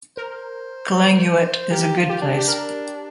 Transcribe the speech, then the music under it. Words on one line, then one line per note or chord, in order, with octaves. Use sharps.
Calanguate is a good place.
A#4 C5
G4 A#4
F4
G4
D4
G4
A#4